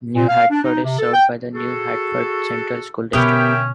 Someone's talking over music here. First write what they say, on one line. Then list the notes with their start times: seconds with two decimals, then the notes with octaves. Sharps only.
New Hartford is served by the New Hartford Central School District.
0.15 A#2
0.28 F5
0.51 D4
0.63 D#4
0.84 C3
0.99 A4
1.14 G5
1.54 F#4 G#4 A4
3.13 B2 D3 B3 C#4 G4 A#4 E5 G5